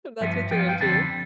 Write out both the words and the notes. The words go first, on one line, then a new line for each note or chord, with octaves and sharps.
if that's what you're into.
G2 F3 B3 E5
G2 F3 B3 G5
F5
G5
F2 D3 G3 C4 A5